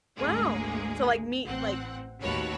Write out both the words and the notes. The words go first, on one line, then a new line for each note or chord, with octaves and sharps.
wow. So like meet like
G#1 D2 G#3 A#3 G#4
A1 C4 F#5
A1 D#2 F#4 C#5 A5 B5